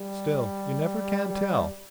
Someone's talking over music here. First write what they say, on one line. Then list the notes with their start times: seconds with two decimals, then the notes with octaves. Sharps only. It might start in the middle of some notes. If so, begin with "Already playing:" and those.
Still, you never can tell.
Already playing: G3
1.30 G3